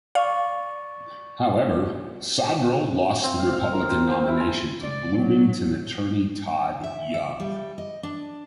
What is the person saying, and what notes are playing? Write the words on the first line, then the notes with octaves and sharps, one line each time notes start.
However, Sodrel lost the Republican nomination to Bloomington attorney Todd Young.
D5 F5 C#6
C4
F5
F5
A#4
C5
C5
E4
G#5
D5
F#3
E5
E5
G3
D#5
D4